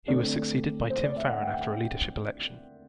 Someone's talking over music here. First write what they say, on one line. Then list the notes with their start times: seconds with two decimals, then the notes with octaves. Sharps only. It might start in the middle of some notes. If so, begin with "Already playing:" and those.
He was succeeded by Tim Farron after a leadership election.
0.08 D3 A3 C4 D5
0.90 C5
1.03 D5
1.16 E5
1.30 F#5
1.43 G5